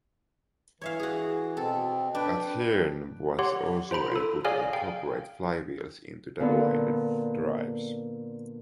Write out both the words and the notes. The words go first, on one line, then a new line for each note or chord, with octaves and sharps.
Athearn was also able to incorporate flywheels into double-ended drives.
E3 C#5 E5 F5
F#4 G#4
B2 C4 A4
D4 B4 G5
G4 C#5 F#5 C6
F4 C5 A#5 B5 D7
F4 A4
G#4 C#5 D5 F5 G#5 F6
F5 G5
A#2 D3 B3